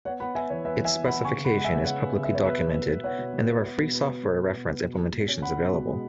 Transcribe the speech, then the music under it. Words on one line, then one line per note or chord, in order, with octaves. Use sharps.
Its specification is publicly documented and there are free software reference implementations available.
B3 C#5 F#5
B3 F#5 B5
B3 E5 G#5
E3 C#5
B3 B4 E5
E3 E5 G#5
B3
F#5 B5
B3
C#3 G#5 C#6
C#3
F#5 B5
G#3 F#5
E5 G#5
B3
C#3 C#5 F#5
B3
C#3
B3 E5
C#5
B2 B4 E5
B3
B3
B3
B3 C#5 F#5
B2
B2
B3
B3
B2
B3
B2
B2
B3
B3
B3
B2
B2
B2
C#4
C#4 F#5 B5
B2
B2
G#3